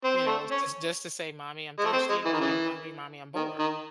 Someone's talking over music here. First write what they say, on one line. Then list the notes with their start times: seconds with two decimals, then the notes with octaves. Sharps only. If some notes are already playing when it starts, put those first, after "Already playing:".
You know, jus just to say, "Mommy, I'm thirsty. Mommy, I'm hungry. Mommy, I'm bored."
0.04 C4
0.17 C4
0.27 A3
0.51 C#4
1.79 G#3
1.86 A3
1.93 C4
2.10 G#3
2.25 E3
2.33 D#3
2.40 C#3 E3
3.35 D#3
3.59 D#3